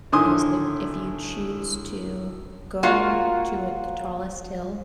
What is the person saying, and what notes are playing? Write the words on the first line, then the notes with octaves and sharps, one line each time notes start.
is if if you choose to go to a the tallest hill,
A2 D3 D#3 G#5 C6 D#6
A#3 F4 F#4 F5